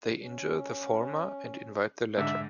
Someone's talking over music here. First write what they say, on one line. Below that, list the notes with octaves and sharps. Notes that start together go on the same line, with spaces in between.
They injure the former and invite the latter.
C#4
G#2 D3 E5